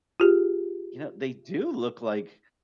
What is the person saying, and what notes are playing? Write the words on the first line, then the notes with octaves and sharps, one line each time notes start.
you know, they do look like
F4 G4 G#4